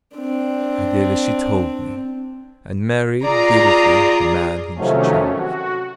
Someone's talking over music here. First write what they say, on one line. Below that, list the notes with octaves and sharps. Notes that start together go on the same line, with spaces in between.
I did as she told me and married dutifully the man whom she chose.
C4 D4
F4 G#4 D5 A#5
C3 D#3 F3 F#3 A3 C#4
F#4